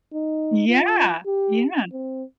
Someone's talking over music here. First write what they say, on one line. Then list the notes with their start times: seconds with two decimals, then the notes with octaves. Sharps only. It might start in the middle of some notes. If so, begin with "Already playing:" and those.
Yeah. Yeah.
0.13 D#4
0.68 F4
1.26 G4
1.92 C4